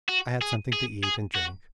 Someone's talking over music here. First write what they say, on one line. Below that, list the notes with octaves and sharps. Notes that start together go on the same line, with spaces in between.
I had something to eat and drink.
F#4
G#4
G#4
G#4
F#4